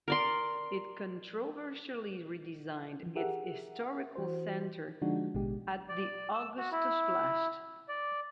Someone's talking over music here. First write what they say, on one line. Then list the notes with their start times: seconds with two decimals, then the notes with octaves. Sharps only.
It controversially redesigned its historical centre at the Augustusplatz.
0.08 A#4 D5 C6
3.03 E3 F3
3.15 G4 G#4 A#4 E5 F#5
4.16 E3 F#4 C5
5.02 D3 F3 G#3 D4 D#4 F#4
5.34 A1 B2 D3 G#3 G4
5.89 D5
6.34 E6
6.57 F#4
6.72 E4
7.88 D5